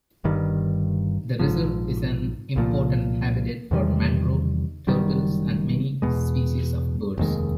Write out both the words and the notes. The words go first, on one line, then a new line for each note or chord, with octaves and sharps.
The reserve is an important habitat for mangrove, turtles, and many species of birds.
G1 G2 D#3 G3
A#1 G#2 F3
C2 A#2 F3
E2 C3 D#3 G3
F#1 F#2 D#3 G3
E2 B2 G#3
F1 D#2 D#3 G#3